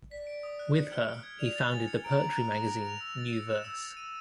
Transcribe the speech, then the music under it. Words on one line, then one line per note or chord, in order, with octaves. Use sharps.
With her, he founded the poetry magazine "New Verse".
D5 B6
D7
D#6
F#6
C#7
F6
F6
G#6
D5 F7
A6
G#5 A6
C#7
A#5 D7
F#7
F#6
A#6
D7
F7
E6
A6
C#7
E7
E6
A6
D#7